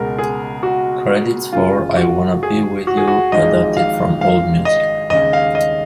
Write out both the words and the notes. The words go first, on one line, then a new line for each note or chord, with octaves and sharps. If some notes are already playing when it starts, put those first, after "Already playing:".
Credits for "I Wanna Be with You" adapted from AllMusic.
Already playing: C#2 B2 G#3 A#4
G#4
F#4
F#1 F#2 C#3 G#3 F4
F#4
G#4
F#4
G#4
F#4
G#1 G#2 F3 G#3 D#5
F5
F5
D#5
D#2 C#3 G#3 D#5
F5
D#5